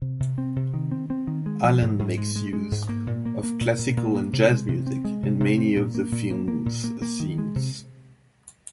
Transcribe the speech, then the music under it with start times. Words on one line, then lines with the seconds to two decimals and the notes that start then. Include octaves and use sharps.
Allen makes use of classical and jazz music in many of the film's scenes.
0.02 C3
0.20 C3
0.38 C4
0.56 C3
0.74 D#3
0.92 C4
1.10 C4
1.27 D#3
1.46 G#3
1.64 F3
1.82 G#2
1.99 G#2
2.17 G#3
2.36 G#3
2.53 G#3
2.71 G#2
2.89 A#3
3.07 A#2
3.25 A#3
3.43 A#3
3.61 A#2
3.79 A#2
3.97 A#2
4.15 A#3
4.33 C3
4.50 G#3
4.69 C3
4.87 C4
5.05 G#3
5.23 C3
5.40 C3
5.58 C4
5.76 A#2
5.95 A#3
6.12 A#2
6.31 A#3
6.48 A#3
6.66 A#2
6.84 A#3
7.02 A#3
7.20 D#3
7.38 G#3
7.56 C3